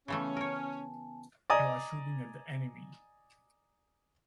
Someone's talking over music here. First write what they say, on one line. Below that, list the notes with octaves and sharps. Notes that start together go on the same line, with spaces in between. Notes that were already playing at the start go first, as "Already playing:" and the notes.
I was shooting at the enemy.
C#3 E3 A3 B3 C#4 G#5 A5
A#4 C#5
D5 D#5 G#5 A#5 D#6